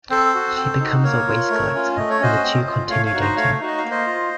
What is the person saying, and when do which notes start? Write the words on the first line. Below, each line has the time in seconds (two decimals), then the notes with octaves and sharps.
She becomes a waste collector and the two continue dating.
0.10 C4 A4 C5
0.35 F#4
0.57 C4
0.80 D#4 F#4
1.04 A#3 A#4 C#5
1.27 F4
1.50 A3
1.74 C#4 F4
1.96 A3 D#5
2.10 C#5
2.20 C#4 F#4 C5 D#5
2.43 C4
2.67 F4
2.90 A3 C#5 F5
3.06 C#5 F5
3.14 D#4 F#4
3.21 C5 D#5
3.36 A3 C#5 F5
3.60 D#4 F#4
3.68 D#5
3.78 A#3 F5
3.90 C5 D#5
4.06 F4